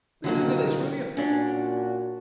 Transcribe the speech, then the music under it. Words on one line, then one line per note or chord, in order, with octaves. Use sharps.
Listen to this, will you?
C2 A#2 D3 D#3 F#3 A#3
A#2 C#4 D4 F#4